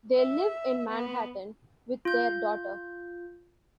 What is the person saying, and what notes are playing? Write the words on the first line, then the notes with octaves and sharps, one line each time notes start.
They live in Manhattan with their daughter.
E5
B3
F4 G6